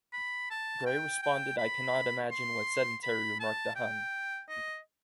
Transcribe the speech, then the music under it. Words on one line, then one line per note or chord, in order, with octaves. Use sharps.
Gray responded I cannot imagine what sedentary remark the hon.
B5
A5
G5
G5
B5
C6
B5
A5
G5
D#5